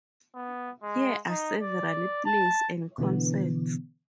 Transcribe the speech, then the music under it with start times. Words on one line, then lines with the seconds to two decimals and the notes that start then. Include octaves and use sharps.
Here are several plays and concerts.
0.35 B3
0.83 G#3
1.28 D#4
1.61 D5
2.26 A5
2.98 B2 D3 E3 B3